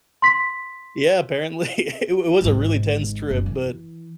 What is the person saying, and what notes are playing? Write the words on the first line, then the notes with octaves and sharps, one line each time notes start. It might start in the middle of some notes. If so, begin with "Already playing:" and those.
Yeah, apparently it wa it was a really tense trip, but
C6 B6
G#1 G#2
F#1
E3